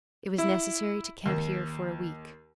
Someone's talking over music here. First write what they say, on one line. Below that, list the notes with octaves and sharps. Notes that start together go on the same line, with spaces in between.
It was necessary to camp here for a week.
E4
D#2